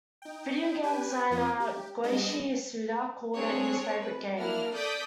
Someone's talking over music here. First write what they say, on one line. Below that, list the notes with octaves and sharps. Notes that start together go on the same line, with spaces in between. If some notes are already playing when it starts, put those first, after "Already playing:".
Video game designer Goichi Suda called it his favourite game.
D#4 G5
G4 B4 G5 G#5
F2 C4 F4 D#6
G4
G3 G#3 B3 D4 D#5 A#6
C4 D4 G#4 C#5
B4
A#3 D4 E4 F6
A4 D5 D#6 G6 B6 D7